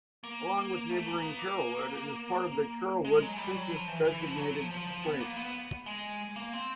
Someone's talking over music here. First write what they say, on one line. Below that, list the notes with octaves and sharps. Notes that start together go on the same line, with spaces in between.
Along with neighboring Carrollwood, it is part of the Carrollwood census-designated place.
A#3
A3
A#3
B3
A#3
G#3
F#3
G#3
G3
F#3
F3
E3
E3
F3
F#3
F3
F3
F3
B3
A#3
B3
G#3
A#3
C4